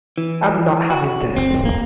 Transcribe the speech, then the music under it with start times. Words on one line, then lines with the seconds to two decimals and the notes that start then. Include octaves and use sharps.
I'm not having this.
0.18 E3
0.90 F#4
1.37 C4
1.65 A#3